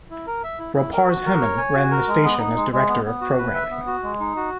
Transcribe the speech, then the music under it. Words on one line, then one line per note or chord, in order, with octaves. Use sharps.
Roparz Hemon ran the station as Director of Programming.
E4
A#4
E5
E4
E4
A#4
F#4
A#4
C#5
G#5
F#4
A#4
G#3
B3
D#4
G#3
G#3
B3
B3
F#4
B4
E5
B3
F#4
G#3
D#4
F#4